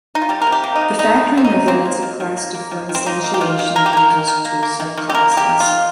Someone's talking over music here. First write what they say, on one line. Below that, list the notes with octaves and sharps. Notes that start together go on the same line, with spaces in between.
The Factory method lets a class defer instantiation it uses to subclasses.
D#4
F4
G3 G4
A#4
C3
G4
A#3
D#4
C3
G3 D#4
C3
A#3 C4
D#4
C3
A#3 C4
A#3
D#3
D#3
A#3
A#3
D#3
D#3
C4
A#3 D#4
A#3
G4
D#3 F4
D#3
A#3 A#4
G4
A#3 A#4
D#3
D#3
A#3
A#3
D#3
D#3
G4
A#3 A#4
A#3
G4
D#3
F4
D#3